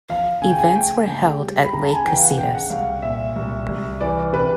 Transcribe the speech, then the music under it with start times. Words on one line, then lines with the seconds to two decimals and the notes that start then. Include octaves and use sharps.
Events were held at Lake Casitas.
0.09 F3 F5
0.42 C#3 G#5
0.50 G5
0.59 G#5
0.75 A3 G5
1.07 C#3
1.40 G3
1.63 B5
1.73 C#3 A#5
1.84 A5
1.95 G#5
2.04 E3 G5
2.17 F5
2.22 F#5
2.38 C#3 G5
2.55 F#5
2.70 C2 F5
3.02 A#2 E5
3.36 C2
3.69 C2
4.01 E3 D5
4.33 C3 B4